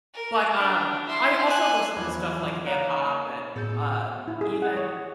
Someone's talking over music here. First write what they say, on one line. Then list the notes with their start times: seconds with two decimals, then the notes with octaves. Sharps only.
but, um, I also listen to stuff like hip-hop and, um, even,
0.14 A#4
0.56 D4
1.06 E4 C6
1.46 G#5 F#6
1.96 E2 F3 F#3 B5 D6 F6 G#6
2.66 A#3 D#4 C#5 F5 A#5 F#6
3.56 A2 B3 F#4 G#4 A4 G6
4.28 E4
4.41 G#4
4.62 F#5
4.77 C#5